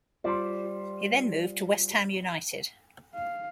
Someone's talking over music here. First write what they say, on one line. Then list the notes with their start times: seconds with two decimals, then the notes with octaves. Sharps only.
He then moved to West Ham United.
0.24 G3 F4 C5 D5 C6
3.15 F5